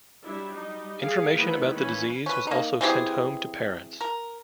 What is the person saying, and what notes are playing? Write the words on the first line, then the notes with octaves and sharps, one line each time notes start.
Information about the disease was also sent home to parents.
F#3 G3 D4 E4
G3 D#4
G#4 F5
D#3 F3 A3 B3 E4 B5
E3 A#3 C#4 B5
C#4 B4
A#3 D#4
E3 C4 G4 G#4
A#4